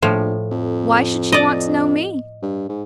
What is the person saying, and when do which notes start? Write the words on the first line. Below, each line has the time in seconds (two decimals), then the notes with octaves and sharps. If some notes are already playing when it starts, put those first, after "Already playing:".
"Why should she want to know me?"
0.02 A#1 A2 F3
0.51 F2
1.32 D5 D#5
2.42 G2
2.69 G#2